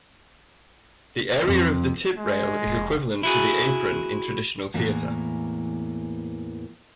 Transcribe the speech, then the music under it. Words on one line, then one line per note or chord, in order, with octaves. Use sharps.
The area of the tip rail is equivalent to the apron in traditional theatre.
F2
G#3
F1
E4 F#4 G#4
E2 A2 E3 A#3